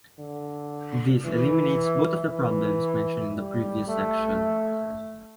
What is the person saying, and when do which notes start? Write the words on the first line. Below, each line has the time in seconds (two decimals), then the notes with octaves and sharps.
This eliminates both of the problems mentioned in the previous section.
0.20 D3
1.25 E3
2.30 E3
3.36 G3
3.88 A3